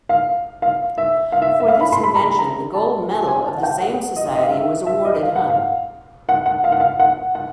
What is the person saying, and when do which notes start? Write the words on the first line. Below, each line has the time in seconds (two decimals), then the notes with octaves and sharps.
For this invention the gold medal of the same society was awarded hun.
0.09 F5
0.62 F5
0.98 E5
1.32 F5
1.42 E5
1.60 E5
1.68 F5
1.81 B5
1.92 C6
2.04 B5
2.15 A#5
2.21 B5
2.39 A#5
2.74 A5
3.10 G#5
3.28 G#5
3.46 A5
3.57 F#5
3.63 G5
3.80 F#5
4.16 D#5
4.34 D#5
4.43 F5
4.52 E5
4.86 E5
5.05 D#5
5.23 F5
5.36 F#5
5.49 F5
6.29 F#5
6.46 F#5
6.64 F5
6.72 F#5
6.80 F5
6.99 F#5
7.35 F#5